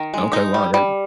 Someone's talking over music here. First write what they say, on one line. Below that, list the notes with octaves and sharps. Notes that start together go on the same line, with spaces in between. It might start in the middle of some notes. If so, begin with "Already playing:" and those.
Okay, wow, that
Already playing: D#3
G#3
D#4
G3
G3